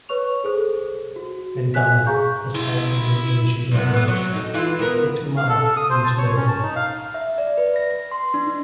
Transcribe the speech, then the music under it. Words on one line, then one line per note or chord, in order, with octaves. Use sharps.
In Tamil, a South Indian ancient language, "Puthumai" means Miracle.
B4 C#5 C#6 F7
G#4 A4 C5
F#4
G#5 F#6 B6
G#4 F5 A#5 C#6 G6
E4 C6
F#2 C3 B3
E3 B3
F#3
D#4 A4
E3 E4 F4
B3 A#4
F5
A4
A4
D#6
C5
A5
C#5
C#4
A5
D#4
F5
E5
D5
B4
A#6
C6
D4
D#4